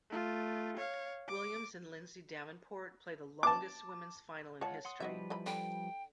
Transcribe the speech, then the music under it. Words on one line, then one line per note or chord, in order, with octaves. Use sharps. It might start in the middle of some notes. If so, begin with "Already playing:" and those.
Williams and Lindsay Davenport played the longest women's final in history.
A3 F4
C#5 F5
D6
A5 D6
G#3 F4 C#5 F#5 A5
F#5 C6 D#6
F3 G3 D#4 F#4 B4 E5
E3 D#4 B5
D3 G5 B5